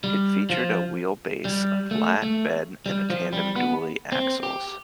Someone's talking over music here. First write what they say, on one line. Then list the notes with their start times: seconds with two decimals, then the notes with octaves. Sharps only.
It featured a wheelbase, a flat bed and tandem dually axles.
0.04 G3
0.50 F3
1.45 G3
1.91 A3
2.22 A3
2.86 G3
3.10 F3
3.33 G3
3.56 B3
4.12 C4
4.43 G4